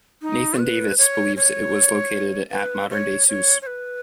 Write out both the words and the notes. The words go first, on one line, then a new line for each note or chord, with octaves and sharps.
Nathan Davis believes it was located at modern day Sousse.
D#4
B4
C#5
C#5
B4
C#5
C#5
C#5
B4